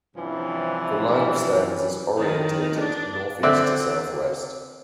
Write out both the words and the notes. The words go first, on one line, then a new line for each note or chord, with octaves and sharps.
The line of stones is orientated north-east to south-west.
G2 C3 E3 F3 C#4 D4
D#3
D4
D3 C4 D5 E5 F#6